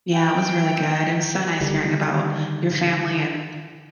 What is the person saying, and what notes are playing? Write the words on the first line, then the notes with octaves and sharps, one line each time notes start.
Yeah, it was really good. It was so nice hearing about your family and
G5
D3 D#3 G3